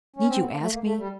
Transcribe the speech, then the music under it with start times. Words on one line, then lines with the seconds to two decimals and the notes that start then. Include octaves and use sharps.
"Need you ask me?"
0.16 C#4
0.28 C4
0.37 B3
0.49 A#3
0.61 A3
0.72 A#3
0.83 A3
0.97 G3